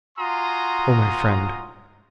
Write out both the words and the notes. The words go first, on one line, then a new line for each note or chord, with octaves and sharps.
Oh, my friend!
F4 F#4 G#5 A#5 C6 D#6